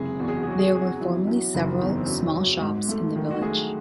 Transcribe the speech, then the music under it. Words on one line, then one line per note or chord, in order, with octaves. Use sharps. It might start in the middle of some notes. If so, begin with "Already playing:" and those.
There were formerly several small shops in the village.
Already playing: F#1 C3 G#3 G#4
E2 F#4
G#4
F#4
G#4
F#3 F#4
G#4
F#4
C3 G#4
F#3 F#4
E3 F#3 E4
F#3 C#4
F#1 D#3 D#4
E2 D#4
C#4
C4
F#3 C#4
F#3
G#2
A3
D#3
F#4
G#3 A3 G#4